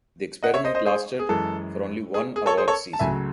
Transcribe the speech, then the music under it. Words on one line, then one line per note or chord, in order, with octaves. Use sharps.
The experiment lasted for only one awards season.
D#5 F#5
C#5 E5
C5 D#5
C5 D#5
G#4 C5
G#4
F#2 E3 G#3 A4
G#4
G#4
A4 C#5
G#4 C5
A4 C#5
A5
C#2 C#3 F#3 A3 E5 G#5